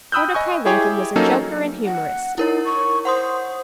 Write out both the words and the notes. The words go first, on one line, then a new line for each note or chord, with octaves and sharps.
Mordecai Lincoln was a joker and humorist.
G5 B5 D#6 E6 F#6 G6
D#5 G#5 C#6
E4 G4 G#4 C#5 G5
F#3 A#3 C#4 D#4 A4
F#5
D#4 E4 A#4 C#5
C#6
C5 F#5 C6 D#6